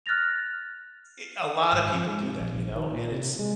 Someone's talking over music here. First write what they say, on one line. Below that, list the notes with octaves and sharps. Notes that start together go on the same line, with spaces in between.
e a lot of people do that, you know? And it's
F6 F#6 A6 A#6 F7
G#1
F2
G#2
C3
A#1
A#1
D#3
A#2
C3
G#3